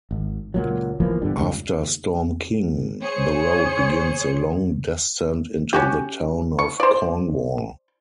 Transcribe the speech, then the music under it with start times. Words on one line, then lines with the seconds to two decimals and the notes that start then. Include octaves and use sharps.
After Storm King, the road begins a long descent into the Town of Cornwall.
0.11 G#1
0.54 C#2 A#2 F#3
1.00 B1 E3 F3 A#3
1.22 G2 B2 D3 G3
1.36 C#2 G2
3.01 G#4 C5 C#5 C#7
5.73 C#4 F#4 G4
6.59 C#6
6.80 C5 D5